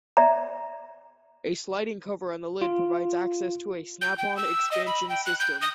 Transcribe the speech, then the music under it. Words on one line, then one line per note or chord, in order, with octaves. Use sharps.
A sliding cover on the lid provides access to a "snap on" expansion system.
D5 E5 A#5
F4
G6
G5
E6
D#5
B5
G5
F#6
G6
D#6